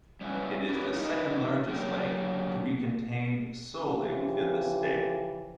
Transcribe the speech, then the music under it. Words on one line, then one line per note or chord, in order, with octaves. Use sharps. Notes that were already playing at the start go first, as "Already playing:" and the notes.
It is the second largest lake to be contained solely within the state.
G3 C#4 E4 B4
E4 G4 A#4 B4 C#5
D#4 F4 A#4 B4 D#5
D3 F#3 A#3 G4 A#4
C#3 E3 F3 G4